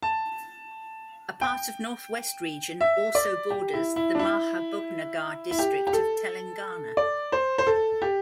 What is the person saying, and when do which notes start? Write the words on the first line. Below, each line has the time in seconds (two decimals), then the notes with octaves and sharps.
A part of north west region also borders the Mahabubnagar district of Telangana.
0.03 A5
1.41 G5
2.81 E5
3.15 D5
3.50 G4
3.73 E4
3.96 E4
4.15 D4
4.19 E4
5.51 E4
5.59 G4
5.87 G4
5.93 A4
6.97 D5
7.32 C5
7.58 C5
7.67 A4
8.02 G4